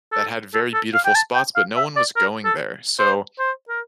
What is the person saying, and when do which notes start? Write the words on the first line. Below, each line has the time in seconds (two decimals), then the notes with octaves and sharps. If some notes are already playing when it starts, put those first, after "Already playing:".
that had very beautiful spots, but no one was going there, so
0.12 A4
0.54 A4
0.74 A4
0.94 F5
1.05 G5
1.15 A5
1.35 G5
1.56 F5
1.76 E5
1.96 D5
2.16 A#4
2.45 A4
2.99 C5
3.39 C5
3.69 A#4